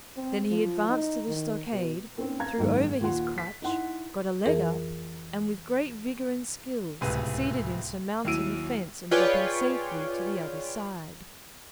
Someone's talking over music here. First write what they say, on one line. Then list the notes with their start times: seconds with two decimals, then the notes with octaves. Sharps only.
Then he advanced to the stockade, threw over his crutch, got a leg up, and with great vigour and skill succeeded in surmounting the fence and dropping safely to the other side.
0.17 C4
0.51 F3
0.89 D#4
1.28 D#3
1.72 B2
2.17 A#3 C4 C#4 D#4 C5
2.39 F5 A#5 G#6
2.58 F#1 B1 G#2 D#3
3.00 D#2 A#2 F4 F#5 C6
3.38 B6
3.62 D#4 E4 F#5 C6
4.46 F2 E3 G#4 A#4
7.01 D1 C#2 C3 G#4 B4 D#7
8.25 D#2 F#3 E4 E6 D7 D#7
9.11 F4 G#4 B4 C#5 D5 G5